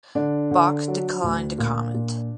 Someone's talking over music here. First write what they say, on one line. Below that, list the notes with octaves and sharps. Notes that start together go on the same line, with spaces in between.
Bach declined to comment.
D3 D4
D3
F#3
D2
A#2
A#2